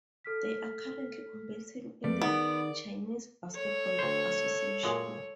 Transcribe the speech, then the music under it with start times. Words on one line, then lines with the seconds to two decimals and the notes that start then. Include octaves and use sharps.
They are currently competing in the Chinese Basketball Association.
0.25 A4 F6 B6
2.04 F2 A3 B4 D5
2.22 D#3 B3 D#4 G#4 A#4 F#5 D7
3.53 A4 C#5
3.99 D2 C5
4.83 F#2 A#2 G#3